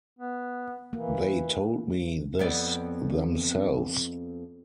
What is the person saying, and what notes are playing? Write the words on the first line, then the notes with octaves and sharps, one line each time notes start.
They told me this themselves.
B3
E3 A#3
F2 B3 D5